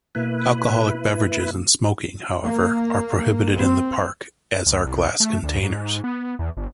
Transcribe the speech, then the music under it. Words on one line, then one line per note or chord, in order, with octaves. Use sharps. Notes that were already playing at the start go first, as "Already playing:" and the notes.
Alcoholic beverages and smoking, however, are prohibited in the park, as are glass containers.
B2 A#3 E4 B4
A#3
C4
D2
C2
A3
D2
G#2
B3
E2
G1